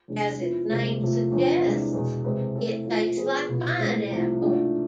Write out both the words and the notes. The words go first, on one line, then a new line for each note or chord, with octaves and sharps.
As its name suggests, it tastes like pineapple.
E2 C3 G#3 D4
F2 E3 B3 E4
D2 C3 G#3
E2 C3 F3 A3
E2 D3 F3 B3
C2 C3 E3 G#3 D4
E2 B2 G#3
C3 G#3 C4 E4 B4
E3 A3 C4 E4 A4
F2 E3 A3 C4 F4
F3 B3 F4 G#4 C5
C2 B2 B3 F4
A2 E3 G#3 C4
C2 C3 F3 A3
G#2 E3 A3 D4 F4